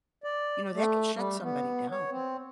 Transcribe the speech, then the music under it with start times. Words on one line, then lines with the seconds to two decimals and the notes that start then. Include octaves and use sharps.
You know, that can shut somebody down.
0.24 D5
0.74 A3
1.15 G3
1.43 B3
1.91 C#5
2.11 C4